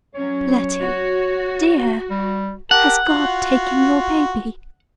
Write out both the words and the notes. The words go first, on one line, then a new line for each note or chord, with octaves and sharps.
"Letty, dear, has God taken your baby?"
F#3 C#4 C#5
F#4
G3
G4 A#4 F#5 A5
F4 F#4